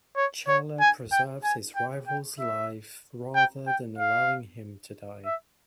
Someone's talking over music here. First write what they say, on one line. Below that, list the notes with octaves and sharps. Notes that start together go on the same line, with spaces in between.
T'Challa preserves his rival's life rather than allowing him to die.
C#5
C#5
G#5
G5
G#5
G5
G5
E5
G5
G5
F5
E5